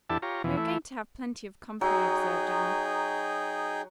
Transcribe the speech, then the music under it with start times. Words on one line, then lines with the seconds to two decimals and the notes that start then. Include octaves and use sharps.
"We are going to have plenty of company," observed Anne.
0.10 E2 D4 E4 G4 A4 A5
0.22 F4 G4 C#5 A#5
0.44 E2 B2 E3 F3
0.57 E3 A3 E4
1.81 F#3 D#4 G#4 G5